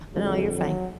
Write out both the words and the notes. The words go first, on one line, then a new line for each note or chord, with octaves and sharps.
No, you're fine.
F2 D3 F#3 G#3
F#3